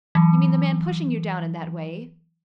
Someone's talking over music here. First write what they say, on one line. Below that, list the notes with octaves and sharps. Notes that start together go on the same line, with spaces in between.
"You mean the man pushing you down in that way?"
E3 F#3